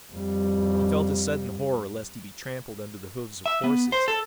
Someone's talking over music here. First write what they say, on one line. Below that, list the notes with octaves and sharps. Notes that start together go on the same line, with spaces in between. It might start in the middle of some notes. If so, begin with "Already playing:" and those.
He felt a sudden horror lest he be trampled under the hoofs of horses.
F2 G3
E5
B3
C5
A4